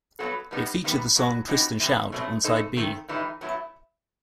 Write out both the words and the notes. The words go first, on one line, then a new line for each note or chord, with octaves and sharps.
It featured the song "Twist and Shout" on Side B.
G2 F#3 B3 F#4 A4
A2 G3 B3 D#4
C3 D#3 G3 B3
B2 F#3 B3 F#4
E3 G3 C4 D#4 F#4
C3 E3 G3 C4
B2 F#3 A3 C4
B2 A3 D#4 A4 C5
E2 D#3 A3 C4
A2 E3 G3 D#4
A2 F#3 B3 E4